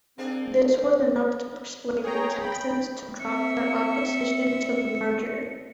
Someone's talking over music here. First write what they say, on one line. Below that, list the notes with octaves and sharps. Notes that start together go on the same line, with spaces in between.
This was enough to persuade the Texans to drop their opposition to the merger.
A#3 C4 D4 G#4
G#4 C#5 G5 A#5
G5 B5
C4 E5 C#7